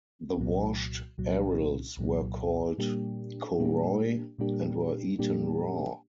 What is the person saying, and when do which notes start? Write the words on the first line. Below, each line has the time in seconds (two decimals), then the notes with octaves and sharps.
The washed arils were called "koroi" and were eaten raw.
0.37 C2 A#2 F#3
1.18 C2 A#2 F#3
1.97 C2 A#2 F#3
2.78 A#2 G3 A#3 D4 G4
3.59 A#2 G3 A#3 D4 G4
4.39 A#2 G3 A#3 D4 G4
5.19 A#2 G3 A#3 D4 G4